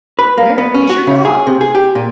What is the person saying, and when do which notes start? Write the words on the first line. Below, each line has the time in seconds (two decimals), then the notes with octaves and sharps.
"Where is your dog?"
0.19 B4
0.38 A#3
0.58 B3
0.74 C#4
0.90 F#4
1.07 C#3
1.25 G#4
1.47 C3
1.61 G#4
1.75 G4
1.95 A#2